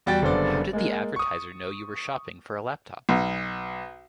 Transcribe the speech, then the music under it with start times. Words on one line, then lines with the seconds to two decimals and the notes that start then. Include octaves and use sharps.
How did the advertiser know you were shopping for a laptop?
0.06 E2 G3 F#4 G5 A6
0.22 F#1 D3 G3 B3 C5 D5
0.73 G#3 A#3
1.16 C#6 D#6
3.09 B1